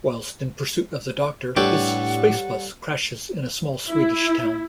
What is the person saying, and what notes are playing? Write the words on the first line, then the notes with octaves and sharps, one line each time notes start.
Whilst in pursuit of the doctor his space-bus crashes in a small Swedish town.
A2 G3 D4 A4 B4 C#5 F#5 G5
E4